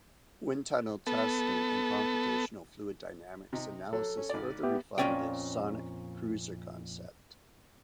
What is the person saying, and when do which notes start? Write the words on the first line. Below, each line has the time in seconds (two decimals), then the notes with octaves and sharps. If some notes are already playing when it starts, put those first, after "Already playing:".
Wind tunnel testing and computational fluid dynamics analysis further refined the Sonic Cruiser concept.
1.07 B3 A4
3.53 C3 D#4
3.93 F#3 A4
4.17 C#4
4.29 G#1 D5
4.63 B3 G4 E5
4.98 F2 A#2 C#4 D5 G5